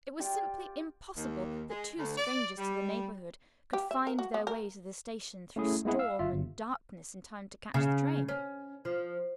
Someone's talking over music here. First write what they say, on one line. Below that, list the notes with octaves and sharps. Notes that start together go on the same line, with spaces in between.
It was simply impossible that two strangers to the neighborhood could find their way to the station, through storm and darkness, in time to catch the train.
F4 G4 D5
D#2
G#3
D2
D5
G3
G4
E5
A#4
F#4
B3
A#4
A3 C#4 E4 G#4
G#3 B3 E4 G#4 F#5
F5 E6
G1 F4 E5
G1
C#3
C#4
F3